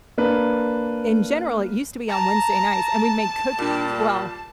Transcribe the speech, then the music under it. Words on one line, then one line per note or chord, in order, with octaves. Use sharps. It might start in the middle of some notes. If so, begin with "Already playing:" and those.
in general, it used to be on Wednesday nights, and we'd make cookies well,
A#3 D4 B4
A5 A#5
A#2 G3